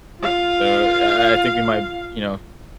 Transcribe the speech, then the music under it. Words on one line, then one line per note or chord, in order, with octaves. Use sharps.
so I I think we might, you know,
F4 F5